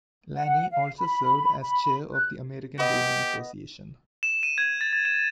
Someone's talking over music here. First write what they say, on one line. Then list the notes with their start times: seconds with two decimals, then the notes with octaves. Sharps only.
Lanni also served as Chair of the American Gaming Association.
0.36 F#5
0.71 F5
1.00 B5
1.62 B5
2.13 F#6
2.79 B3 G4 D#5
4.23 E7
4.43 D#7
4.58 G#6
4.81 A6
4.93 A6
5.05 E7